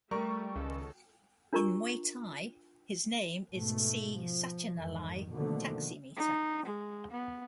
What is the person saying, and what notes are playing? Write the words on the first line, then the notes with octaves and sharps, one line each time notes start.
In Muay thai his name is Si Satchanalai Taxi Meter.
G3 A3 A#4 C#6
C#2 D#3 A4
D4 F4 A#4 A#5 C#6
G#2 B2 A3
F3
F2 G#2 D#3
B2 D3 D#3 F3 A3 A#3
D#4
G#3
B3